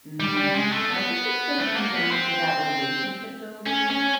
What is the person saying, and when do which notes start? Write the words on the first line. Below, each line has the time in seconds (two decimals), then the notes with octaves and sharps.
Mm, I think it's gonna come down to that relationship-building.
0.20 G3
0.37 G3
0.55 G#3
0.73 A3
0.89 B3
1.59 A3
1.76 A#3
1.94 B3
2.11 C4
3.66 C#4
3.90 C#4